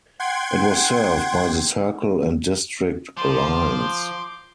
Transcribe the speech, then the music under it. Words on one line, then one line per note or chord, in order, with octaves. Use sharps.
It was served by the Circle and District lines.
F#5 G5 C6 G#6
F3 C6 D6 G6